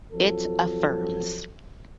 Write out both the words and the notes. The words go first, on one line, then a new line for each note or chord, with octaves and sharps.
It affirms.
F2 F3 F#3 A4